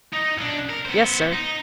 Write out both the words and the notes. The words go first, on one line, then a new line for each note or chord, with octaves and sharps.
"Yes, sir."
D#4
B1 D4
A#4
B3 C5
D#4